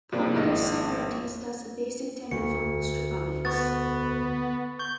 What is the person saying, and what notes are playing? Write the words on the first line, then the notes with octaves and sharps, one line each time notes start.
Popular sovereignty is thus a basic tenet of most Republics.
G2 C3 F3 A#3 G#4 D5
G#1 A2 D#5
D2 C#7
B3 C#6 A6
C#6 G6